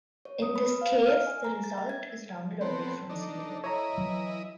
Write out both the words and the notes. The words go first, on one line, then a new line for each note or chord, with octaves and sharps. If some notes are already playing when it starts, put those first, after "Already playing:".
In this case, the result is rounded away from zero.
C#5
D#6
B5
B4
F5
F6
G#5
A#5
A6
E5
G#6
B3 C4 A4
D4 D#4
E4 C#5 D#5 A#5
E3 F#3